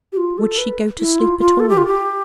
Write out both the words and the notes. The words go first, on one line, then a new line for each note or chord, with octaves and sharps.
Would she go to sleep at all?
G4
F4
A4
B4
E4
F4
F4
A4
G4
F4
G4